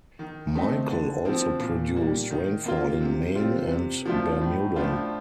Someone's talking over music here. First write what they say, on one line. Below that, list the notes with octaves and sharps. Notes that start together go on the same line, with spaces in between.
Michael also produced rainfall in Maine and Bermuda.
D#3
A3 C4 D#4
D3
F3 C4
A#2
G3 A#3
D#3
A#3 F4
C3
G3 C4 F4
C3
F3 A3 D4 F4
A2
F3 A3 D4 F4